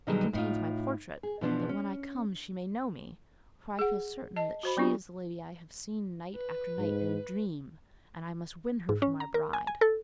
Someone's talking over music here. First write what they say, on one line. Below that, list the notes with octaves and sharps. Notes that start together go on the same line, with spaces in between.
It contains my portrait, that when I come she may know me; for I feel certain that she is the lady I have seen night after night in a dream, and I must win her for my bride.'
B2 D3 D#3 F#3 G3 G#4
A2 D#4 F4
G#4
B2 E3 F3 B3 C4 D4
C#4
G#4 F#5
D#5 A5
F#4 C5 B5
F#3 B3 D4 F4 G4
B4
G#2
G#2
C#4
A#5
A#4
G#5
G#5
A4